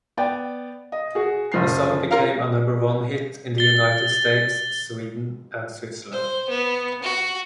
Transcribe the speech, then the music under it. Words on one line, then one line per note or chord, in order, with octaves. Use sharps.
The song became a number-one hit in the United States, Sweden and Switzerland.
B3 D5 G5
D#5
F#4 G#4
F#1 F3 F6 C7
C#4 F4 A#4 F5
A6 G7
C5
B3
F#4